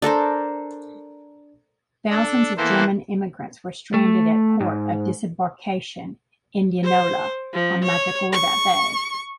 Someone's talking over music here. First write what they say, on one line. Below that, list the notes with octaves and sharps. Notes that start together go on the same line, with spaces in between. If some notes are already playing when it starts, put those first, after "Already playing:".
Thousands of German immigrants were stranded at port of disembarkation, Indianola, on Matagorda Bay.
D4 A4 A#4 C5
D4 A4
E3 A#3 B3 A4 C5
A3
G#2
C5
F3
C#5
C#6